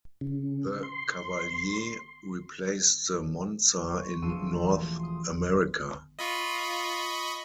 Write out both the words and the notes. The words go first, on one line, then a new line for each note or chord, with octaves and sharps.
The Cavalier replaced the Monza in North America.
C#3
C6
C6 C#6
E1 F3 C6 E6 C#7 D#7
A3
C6 D#6
F4 D#5 B5 C#6